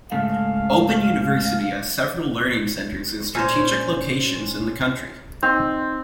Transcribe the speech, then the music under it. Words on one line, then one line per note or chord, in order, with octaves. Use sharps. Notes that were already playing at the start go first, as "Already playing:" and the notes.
Open University has several Learning Centers in strategic locations in the country.
G#2 C#3 A3 F5
A#2 C#4 C5 A#5
C4 D#4